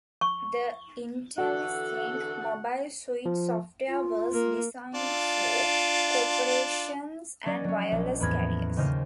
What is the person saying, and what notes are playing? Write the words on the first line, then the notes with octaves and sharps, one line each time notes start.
The Intellisync Mobile Suite software was designed for corporations and wireless carriers.
C#6
D3 E3 F#4 A4 F#5
F3
F4
A#3 A#4
D4 F4
F#3 C#4 D5 D#5
F#3 C#4
A#1
E2 A2 B5 F6 G#6 A#6
D#2 C#3 C#4 C5 D#5 F6